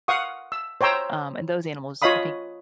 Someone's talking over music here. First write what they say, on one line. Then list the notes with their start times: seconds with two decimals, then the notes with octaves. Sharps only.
um, and those animals, I think
0.08 F5 F#5 C#6 D#6
0.52 E6
0.81 C5 C#5 G5 A#5 E6
2.02 F4 C#5 D#5 F5 B5 D#6